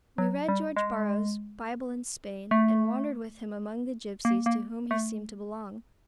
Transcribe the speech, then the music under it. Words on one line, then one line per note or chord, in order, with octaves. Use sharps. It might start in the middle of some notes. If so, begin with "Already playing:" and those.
We read George Borrow's "Bible in Spain," and wandered with him among the gypsies to whom he seemed to belong.
F#3
G3
G#3
A3
A#3
A#3
A3